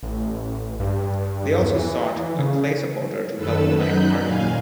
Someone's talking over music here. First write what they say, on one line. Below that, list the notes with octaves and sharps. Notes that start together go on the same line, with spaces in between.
They also sought a Clay supporter to help unite the party.
A1
G2
E2
E3
C#3
F#2 D#3 A4 B4 E6
F#2 F#3 D#4 B5 F#6 G6
D#2 A#2 F5 G#5